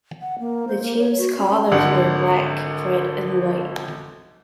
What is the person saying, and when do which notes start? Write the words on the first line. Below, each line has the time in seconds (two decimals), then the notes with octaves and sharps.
The team's colors were black, red and white.
0.22 F#5
0.39 A#3
0.68 C5
0.82 A#3
0.98 C#5
1.18 F#4
1.38 C#4
1.72 G#1 D3 F#5